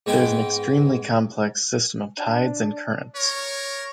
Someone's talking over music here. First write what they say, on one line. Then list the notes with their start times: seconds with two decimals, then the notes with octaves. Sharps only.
There is an extremely complex system of tides and currents.
0.06 G#2 G#3 B3 G5 G#5 D6
2.17 D4
3.16 A#4 C#5